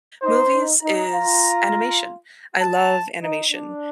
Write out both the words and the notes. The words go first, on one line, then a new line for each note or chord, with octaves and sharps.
movies is animation. I love animation,
D#4 C5
D#4
D#4 A#5
F4
A5
D#4
D4